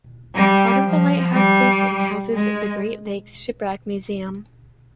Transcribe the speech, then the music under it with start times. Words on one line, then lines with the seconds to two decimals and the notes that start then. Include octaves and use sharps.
Part of the lighthouse station houses the Great Lakes Shipwreck Museum.
0.35 G3
0.84 F3
1.33 G3
2.33 G#3